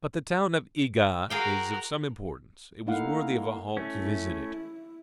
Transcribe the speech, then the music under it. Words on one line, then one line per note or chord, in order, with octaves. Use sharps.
But the town of Ega is of some importance; it was worthy of a halt to visit it.
F#4 G#4 A#4 F5 G5
A3 A#3 D#4 E4 F5 F#5
A3 C#4 E4